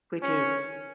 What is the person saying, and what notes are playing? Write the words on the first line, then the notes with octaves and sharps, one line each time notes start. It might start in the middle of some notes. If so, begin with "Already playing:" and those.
we do,
C#4